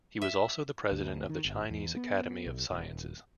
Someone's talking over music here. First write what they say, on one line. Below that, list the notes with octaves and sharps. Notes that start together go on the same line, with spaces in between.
He was also the President of the Chinese Academy of Sciences.
E5
D2
D#3
G1
E2
B3
B1
D#1